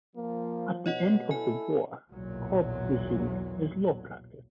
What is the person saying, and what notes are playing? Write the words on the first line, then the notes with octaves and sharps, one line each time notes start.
At the end of the war Cobb resumed his law practice.
F3 A#3
B2 C#5 D#5 F#5
E4 A4 G#5
B1 E2 A#2 F#3